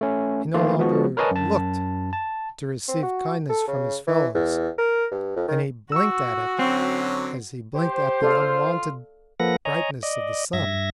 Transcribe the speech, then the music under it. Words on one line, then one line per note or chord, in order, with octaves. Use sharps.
He no longer looked to receive kindness from his fellows, and he blinked at it as he blinked at the unwonted brightness of the sun.
A3 C#4
D#3 F3 A3 A#3 F4
F3 G#3 B3 F#4
A#4 B4 C#5 D#5 G#5 A5
F#2 A5
A5
C4
F#4
A4
C#3
E3
E2
A#4
G2
F2
D#3
F#4 C#6 E6
D3 F#3 C4 C#4
G4 C5
F4 A4 D5 F5
F3 A#3 A4 B4 F#5 A#6
C#5 D#5 G#5 A#5
D5 D#5
G2 E5 G#6 A#6